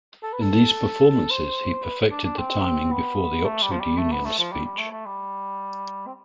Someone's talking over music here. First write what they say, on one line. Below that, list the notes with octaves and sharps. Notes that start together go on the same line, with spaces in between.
In these performances he perfected the timing before the Oxford Union speech.
A4
B4
A4
C5
B4
D4
D4
C4
B3
A3
G3
F3
G3
A3
B3
A3
F3
G3
G3
A3
A3
G3
C4